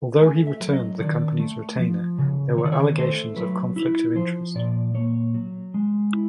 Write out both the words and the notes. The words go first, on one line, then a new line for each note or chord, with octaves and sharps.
Although he returned the company's retainer, there were allegations of conflict of interest.
A3 G#5
E5
F#3
D#5
D#3 D5
A3
F3
C#3
D#3 C#5
D5
C#5
A3 C5
F#3 B4
E4
F3 C5
A#2 D5
A#3 C#5
F#3
G#3
E4